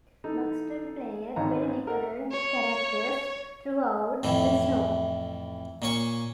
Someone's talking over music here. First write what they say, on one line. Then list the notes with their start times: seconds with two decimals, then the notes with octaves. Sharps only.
Buxton played many different characters throughout the show.
0.24 E3 D#4 A4
1.36 G#1 D3 D#4 C#5 F5 A#5
1.87 A4 A#4 C5 D#5 F#5
2.31 C#5
4.23 F2 A2 E3
5.82 A#2 C#4 C#6